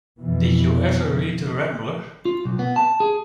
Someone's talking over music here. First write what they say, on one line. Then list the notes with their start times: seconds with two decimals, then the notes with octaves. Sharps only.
Did you ever read the Rambler?
0.19 F2 B2 E3
2.25 F4
2.45 B1
2.59 B3
2.76 A5
3.00 G#4